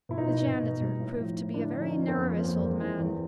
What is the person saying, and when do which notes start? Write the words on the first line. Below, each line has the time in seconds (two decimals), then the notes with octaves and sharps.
The janitor proved to be a very nervous old man.
0.09 B2 E4
0.18 D#4 F4
0.28 B2
0.45 B2
0.63 B2
0.81 G3
1.00 A2
1.18 F3
1.36 A2
1.54 D3 D4 E4
1.72 F3
1.82 C#4 D#4
1.90 F3
2.08 F2 B3 C#4
2.27 F3
2.35 A#3 C4
2.44 F2
2.62 E2
2.81 E3
2.99 E2